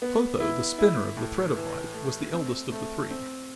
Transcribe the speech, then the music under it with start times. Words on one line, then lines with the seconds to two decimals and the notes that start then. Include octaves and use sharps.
Clotho, the spinner of the thread of life, was the eldest of the three.
0.02 B3
0.40 E4
0.78 E4
1.17 A2
1.56 E3
1.94 A3
2.34 C4
2.72 A3
3.11 C4